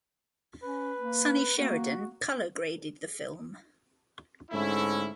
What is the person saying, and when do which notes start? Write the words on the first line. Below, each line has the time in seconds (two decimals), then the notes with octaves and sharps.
Sonny Sheridan colour graded the film.
0.63 C#4 B4
0.99 A#3
1.57 A#3 F#4
4.51 G#2 D3 A3 C#4 E4